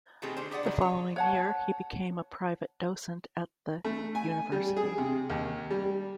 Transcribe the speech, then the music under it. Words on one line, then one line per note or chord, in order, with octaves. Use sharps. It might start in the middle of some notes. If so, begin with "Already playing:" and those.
The following year, he became a private docent at the university.
B2 D#3 A3 C4 G4 G#4
D3 C5
G4 G#4 D5 F#5
C#3 F#3 G#3
C#5
C#5 F#5 A5
A3
G#5
G3
G#4
C3
D#2
G3